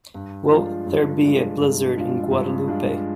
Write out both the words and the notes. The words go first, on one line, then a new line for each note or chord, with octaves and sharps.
Will there be a blizzard in Guadeloupe?
G2
F3 G#3 D4 F4
G2
F3 G#3 D4 F4
G2
F3 G#3 D4 F4
G2
F3 G#3 D4 F4